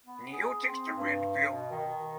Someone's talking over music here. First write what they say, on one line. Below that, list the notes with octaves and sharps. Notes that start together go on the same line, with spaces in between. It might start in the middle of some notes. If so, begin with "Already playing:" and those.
Neo takes the red pill.
B3
G#4
C4
G2
B2
D#3